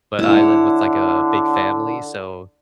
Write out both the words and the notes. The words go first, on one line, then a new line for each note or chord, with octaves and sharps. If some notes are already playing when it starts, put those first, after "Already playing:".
but I live with, like, a big family, so,
D3 E4 C#5